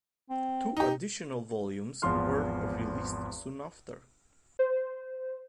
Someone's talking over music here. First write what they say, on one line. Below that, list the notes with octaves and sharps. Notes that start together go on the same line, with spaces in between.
Two additional volumes were released soon after.
C4
D#4 G4
G#1 E2 F3 C6 F6
C5